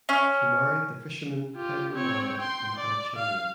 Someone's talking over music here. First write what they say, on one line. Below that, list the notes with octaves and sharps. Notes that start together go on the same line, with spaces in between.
She married the fisherman Pedro Barba and had children.
C#4
F4 G4
C4 C#5
G5 C6
D5
F5